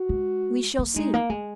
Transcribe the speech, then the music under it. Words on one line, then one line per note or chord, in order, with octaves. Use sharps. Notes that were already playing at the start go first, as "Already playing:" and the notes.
"We shall see."
Already playing: F#4
G#3
A#3
G#3 D#4
A#3
G#3